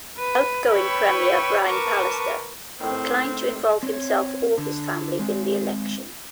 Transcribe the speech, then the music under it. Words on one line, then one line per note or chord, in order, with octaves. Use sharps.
Outgoing premier Brian Pallister declined to involve himself or his family in the election.
B4
B4 C#5 G5 B5 C#6 E6
A#4 B4 A5 C#6 D6
A2 D#3 C4
C4 C#5
D3
G#3 C4